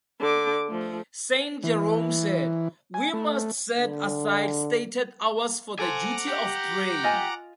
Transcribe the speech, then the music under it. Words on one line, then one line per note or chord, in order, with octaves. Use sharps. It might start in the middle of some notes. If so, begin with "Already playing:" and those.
Saint Jerome said, ...we must set aside stated hours for the duty of praying.
D3 D6
F3 A3
E3
G#5
A3
D3
A4 C5 F#5 G#5 A#5 D6
G4
F4 D#5 G#5